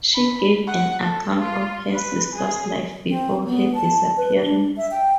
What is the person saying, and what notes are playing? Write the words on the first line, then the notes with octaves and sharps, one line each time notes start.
She gave an account of her sister's life before her disappearance.
B5
F#5
A4
F4
B4
G#4
C4
B3
A5
B4
D4
E5
G5